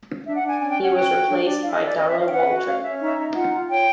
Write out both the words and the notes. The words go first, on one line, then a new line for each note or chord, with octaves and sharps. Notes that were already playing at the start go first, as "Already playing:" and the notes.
He was replaced by Darrell Waltrip.
D4 E5
F#5
D4
G#5
C#4 G#5
G5
C#4
F#5
F#4 G5
F#4
D4
D4
E4 F5
D#5
E4
D5
C#4 D#5
E5
C#4 F5
G5
B4 F#5
F#4
C#4 F5
C#4 E5
D#4 E5
D#4
F4 F#5
F4
C#5 G5